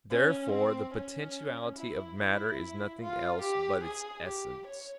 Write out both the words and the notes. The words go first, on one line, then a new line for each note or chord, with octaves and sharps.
Therefore the potentiality of matter is nothing else but its essence.
C#4
C4
C#4
E4
E4
F4
G4
G#4
G4
C#5